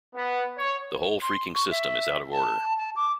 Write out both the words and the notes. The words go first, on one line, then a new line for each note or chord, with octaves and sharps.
The whole freaking system is out of order.
B3
C#5
C6
C#6
E5
A5
A5
D6